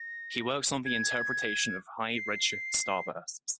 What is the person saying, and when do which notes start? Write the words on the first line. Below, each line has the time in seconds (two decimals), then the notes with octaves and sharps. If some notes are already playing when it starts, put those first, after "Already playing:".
He works on the interpretation of high redshift starbursts.
Already playing: A#6
0.86 G#6
2.10 D#7
2.15 C7